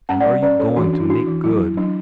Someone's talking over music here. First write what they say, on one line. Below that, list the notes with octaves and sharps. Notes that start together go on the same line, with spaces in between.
And are you going to make good?
C#4 F#5 A5
D5 F#5
G3
C#4 B4 D5
C#4 A4 C#5
E3 D4 F#4
D4
E4
D4 F#4
E3
F#3 E4
F#3
F#3 D4